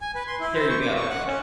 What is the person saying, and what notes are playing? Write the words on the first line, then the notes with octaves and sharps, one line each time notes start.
There you go.
G#5
B4
C6
E4
C5
C#6
D6
C#6
F#5
C#4